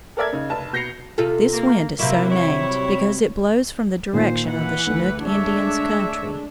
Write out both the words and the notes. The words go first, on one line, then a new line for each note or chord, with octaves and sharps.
This wind is so named because it blows from the direction of the Chinook Indians' country.
A4 A#4 D5 E5 G#6
C#3 D#4
F1 A5
B2 G6 A#6 C7 C#7 F7
C3 F4 A4
A#3
C3 F#3 A#3 E4
G3 E4 C#5
A#2 D#3 C5
E3 B4 F#5
D2
G#3 D4 C#5 E5